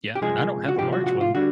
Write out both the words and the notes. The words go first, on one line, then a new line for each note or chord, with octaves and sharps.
Yeah, and I don't have the large one.
G4
C3 F3 G#3 G#4
F#4
C3 F3 G#3 G4
F#4
F#4
F4
D3 G3 F#4